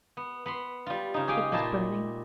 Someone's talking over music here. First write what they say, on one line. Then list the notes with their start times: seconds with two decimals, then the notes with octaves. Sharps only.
It was burning.
0.17 B3
0.46 B3 B5 C6
0.86 G3 F4
1.14 C#3 D#4
1.28 G4 G#4 F5 G5 G#5
1.52 A#2 D#4 E4 A5 C6